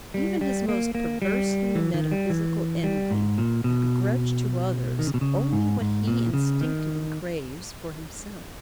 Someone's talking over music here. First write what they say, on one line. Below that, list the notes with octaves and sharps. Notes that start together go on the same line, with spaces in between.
Even his most perversely metaphysical envy can begrudge to others only what he instinctively craves for himself.
G3
G3
A#3
A#3
G3
E3
D#3
G3
E3
G3
G#2
A#2
B2
D#3
C#3
B2
C#3
G#2
G#2
A#2
C#3
D#3